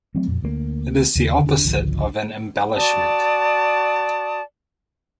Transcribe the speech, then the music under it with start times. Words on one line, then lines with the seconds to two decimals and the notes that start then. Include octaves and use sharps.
It is the opposite of an embellishment.
0.15 E3 F#3 A3 C4
0.28 F2 A#2
0.42 D2 G3 A#3
1.15 D#2 C#3
1.44 E1 D4
1.65 G#1 C#2 D3 F3
2.76 F#4 D5 A5 D#6